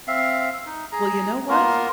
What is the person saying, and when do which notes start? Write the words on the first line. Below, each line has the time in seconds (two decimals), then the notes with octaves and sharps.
"Well, you know what?
0.07 C4 E5 F5
0.66 D#4
0.92 G#4 A#5
1.49 A#3 B3 F4 A#4